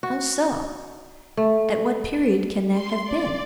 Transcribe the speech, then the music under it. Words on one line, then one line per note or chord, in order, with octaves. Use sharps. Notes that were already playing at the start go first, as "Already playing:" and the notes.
"How so?--at what period can that have been?"
F#4
A3
C6
D5